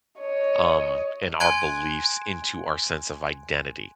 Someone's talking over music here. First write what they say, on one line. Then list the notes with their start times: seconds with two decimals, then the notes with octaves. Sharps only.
um, and our beliefs into our sense of identity.
0.21 C#5 D#5
1.40 G#5 C6 F#6 G#6 D7